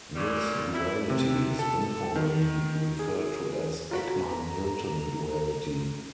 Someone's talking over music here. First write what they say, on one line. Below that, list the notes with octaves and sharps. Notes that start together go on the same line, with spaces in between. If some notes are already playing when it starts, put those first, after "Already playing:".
This duality is informally referred to as Eckmann-Hilton duality.
F#2 A#2 G3
E4
C3
A4
D#3
G#4
F4 F#4 A4 A#5 B5